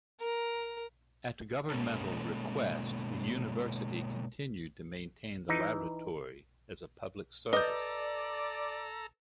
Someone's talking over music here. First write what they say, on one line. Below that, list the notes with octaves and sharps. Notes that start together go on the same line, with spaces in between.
At governmental request, the University continued to maintain the Laboratory as a public service.
A#4
B2 G#3 A#3 C#4 A4
E3 D#4
A4 B4 D5 D#5 A#5 G6